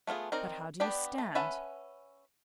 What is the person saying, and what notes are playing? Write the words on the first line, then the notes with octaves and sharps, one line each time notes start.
But how do you stand?
A3 B3 F4 G#4
C4 D#4 A#4 D5
B3 D4 G4 D5 B5
A3
C#4 B4 E5 F#5 A5